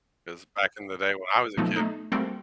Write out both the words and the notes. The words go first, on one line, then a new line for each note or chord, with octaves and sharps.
'Cause back in the day when I was a kid,
B2 F3 F#3 A3 B3 D#4
A3 D#4
G3 A3 A#3 C4 F#4